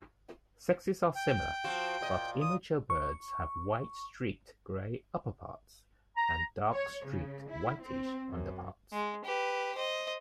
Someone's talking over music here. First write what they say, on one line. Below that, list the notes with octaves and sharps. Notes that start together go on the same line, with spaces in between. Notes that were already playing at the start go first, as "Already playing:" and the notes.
Sexes are similar, but immature birds have white-streaked grey upperparts and dark-streaked whitish underparts.
G5
F3 C4 F#4
A#2 D#5
D#6
C#6
A#5
C#5
C#3
E4
C4
F#2
G#3
G4 B4
C5 D#5